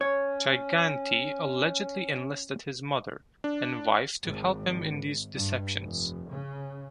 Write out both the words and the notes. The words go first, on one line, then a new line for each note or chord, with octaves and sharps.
Gigante allegedly enlisted his mother, and wife to help him in these deceptions.
C#4 C#5
D4
G#1
G2
F1
C#3